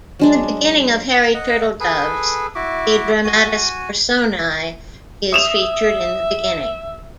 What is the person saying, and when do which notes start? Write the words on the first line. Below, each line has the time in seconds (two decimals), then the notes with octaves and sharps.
In the beginning of Harry Turtledove's a dramatis personae is featured in the beginning.
0.19 F#3 G#3 D4
1.34 D#5 F#5
1.80 G#4 A4 B4
2.55 E4 F#4 E5 D6
3.24 F#4 G#5
5.33 E5 D#6 E7 F7